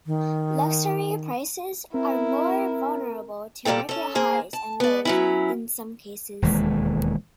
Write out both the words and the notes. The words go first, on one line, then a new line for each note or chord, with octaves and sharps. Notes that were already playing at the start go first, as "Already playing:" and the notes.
Luxury prices are more vulnerable to market highs and lows in some cases.
D#3
C4 E4 A#4
A#2 G3 A#3 A4 G5
C#4 A4
A#3 G#4 C5
A5
B3 D5
F#3 C#4 E4
E1 D#2 E3 G#3